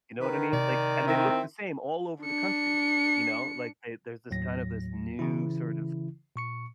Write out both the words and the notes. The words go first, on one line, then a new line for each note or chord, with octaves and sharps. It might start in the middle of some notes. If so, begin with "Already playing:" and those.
You know what I mean? Like, and they look the same all over the country. You know? Like, they there's this kind of this new sort of
D#3 B4
C3 D5
C4 E4
D4 C#7
D#2 A2 F#3 A#6
C#3 E3 E4
A#2 C#6 C#7